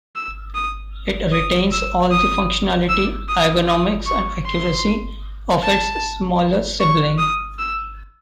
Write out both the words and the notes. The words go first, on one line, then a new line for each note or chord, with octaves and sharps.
It retains all the functionality, ergonomics and accuracy of its smaller sibling.
E6
D#6
D#6
E6
D#6
E6
D#6
D#6
C#6
C6
A5
C#6
D#6
E6